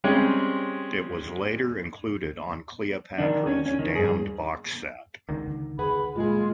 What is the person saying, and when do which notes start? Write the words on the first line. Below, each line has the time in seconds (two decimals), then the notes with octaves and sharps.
It was later included on Cleopatra's Damned Box Set.
0.04 G3 G#3 C4 C#4 G4
3.18 D#3 D4
3.47 C#4
3.66 C#4
3.79 D#3
3.95 G2 G#4
5.29 C#2 D3 D#3
5.79 G#4 B4 F#5 B5
6.16 A#2 G#3 F4 G#4